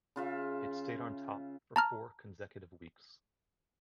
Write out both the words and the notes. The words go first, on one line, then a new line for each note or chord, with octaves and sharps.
It stayed on top for four consecutive weeks.
C#3 F4 E5
A5 A#5 F6